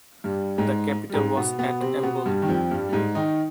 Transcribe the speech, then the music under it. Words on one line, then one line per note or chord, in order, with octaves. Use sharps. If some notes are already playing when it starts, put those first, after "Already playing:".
The capital was at Mbul.
G2 G3
G#2 G#3
G3
G#2 G#3
B2 B3
B2 B3
C3 C4
B2 B3
G2 G3
D#3
F2 F3
G2 G3
G3
G#2 G#3
D#3 D#4